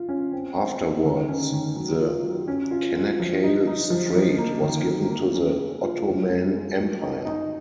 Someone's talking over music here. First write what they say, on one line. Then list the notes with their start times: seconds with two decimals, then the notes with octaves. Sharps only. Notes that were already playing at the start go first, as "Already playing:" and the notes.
Afterwards, the Canakkale strait was given to the Ottoman Empire.
Already playing: F4
0.09 C#4
0.32 C4
0.57 C4
0.81 D#4
1.04 D#3
1.28 C#4
1.52 D#3
1.76 F#3
2.00 F4
2.24 F#3
2.48 C#4
2.71 F4
2.95 F4
3.20 F3
3.44 D#4
3.67 D#4
3.90 F3
4.15 F3
4.38 A#3
4.62 D#3
4.86 F#3
5.10 A#3
5.35 C#4
5.58 C#3
5.82 F4
6.06 F#2
6.29 F#2
6.54 G#3
6.78 F#3
7.01 D#4
7.25 D#4